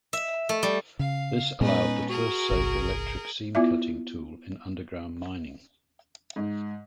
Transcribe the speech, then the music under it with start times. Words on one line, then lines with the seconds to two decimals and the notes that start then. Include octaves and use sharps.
This allowed the first safe electric seam cutting tool in underground mining.
0.13 E5
0.49 A3
0.63 G3
0.99 C#3 F5
1.61 A#2 G#3 B3 C#4 D#4 B4
2.09 F#4 G#4 A#4
2.51 G1 C2
3.55 B3 E4 F4 D5 E5
6.36 G#2